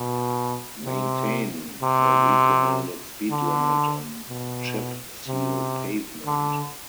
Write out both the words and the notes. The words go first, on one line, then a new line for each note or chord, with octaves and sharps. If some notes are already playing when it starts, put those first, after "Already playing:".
Maintain the recommended speed limit on chip seal pavement.
Already playing: B2
C3
C3
D3
B2
C3
D3